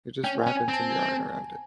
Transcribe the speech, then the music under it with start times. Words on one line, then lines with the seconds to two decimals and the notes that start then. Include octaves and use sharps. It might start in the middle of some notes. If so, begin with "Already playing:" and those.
you're just wrapping some yarn around it,
0.24 C#4 G5
0.42 G#5
0.47 C#4
0.57 G#5
0.68 C4
0.73 A5
0.90 G#5